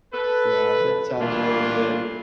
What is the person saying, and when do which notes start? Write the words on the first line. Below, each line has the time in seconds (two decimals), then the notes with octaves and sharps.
Yeah, that sounds really good.
0.14 A4 B4
1.20 E3 G3 A3 A#3 D4 F4